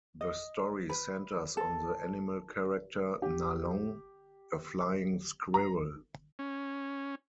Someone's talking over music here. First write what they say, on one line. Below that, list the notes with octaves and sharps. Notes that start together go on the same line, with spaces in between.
The story centers on the animal character Nalong, a flying squirrel.
D#5
B4
A4
G4
A#5
C#4